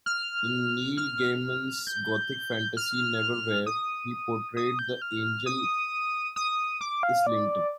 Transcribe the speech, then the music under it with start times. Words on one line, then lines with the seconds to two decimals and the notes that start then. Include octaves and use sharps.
In Neil Gaiman's gothic fantasy "Neverwhere", he portrayed the angel Islington.
0.06 F6
0.97 F6
1.87 G6
2.77 F6
3.66 D#6
4.57 D#6
4.79 G6
5.02 F6
5.46 D#6
6.36 D#6
6.81 D6
7.03 F5
7.26 D5